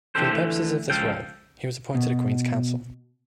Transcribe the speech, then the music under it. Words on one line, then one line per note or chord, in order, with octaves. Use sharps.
For the purposes of this role, he was appointed a Queen's Counsel.
E3 C4 D4 G4 A4 C5
D3 E3 A3
C#2 F3 A4 F5 G5
B2